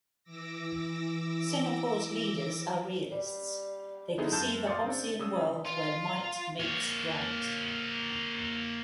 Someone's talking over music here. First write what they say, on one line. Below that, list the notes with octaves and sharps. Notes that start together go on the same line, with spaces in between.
Singapore's leaders are realists; they perceive a Hobbesian world where might makes right.
E3 D6 E6 A#6
G3
D3 B3 D#4 E4 G#4
F#2 A5 G6 A6 E7
F5 C6 D6 D#6 A6 C#7
C#3 C4 D4
C#3 D4 D#6 E6
F4
A#3 C#5